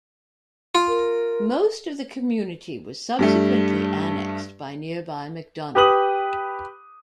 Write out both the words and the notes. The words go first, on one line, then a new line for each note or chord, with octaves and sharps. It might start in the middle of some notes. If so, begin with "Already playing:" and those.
Most of the community was subsequently annexed by nearby McDonough.
F4
A#4
G2 G3 A3
G4 B4 D#6 F#7